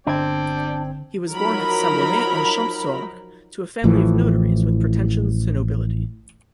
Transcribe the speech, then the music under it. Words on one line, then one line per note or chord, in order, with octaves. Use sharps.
He was born at Saint-Bonnet-en-Champsaur, to a family of notaries with pretensions to nobility.
G1 D3 C4 D4 D5 G5 G#6
F3 F#3 D#4 A#4 A#5 B5
A1 A2 E3 F3